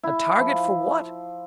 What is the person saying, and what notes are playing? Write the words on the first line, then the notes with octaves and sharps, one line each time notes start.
A target for what?...
E4
F3